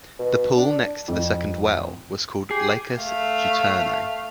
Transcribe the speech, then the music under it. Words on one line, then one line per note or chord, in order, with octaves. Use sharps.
The pool next to the second well was called Lacus Juturnae.
B2
D4
F2
G4 G#4 G5 C7
A3 F5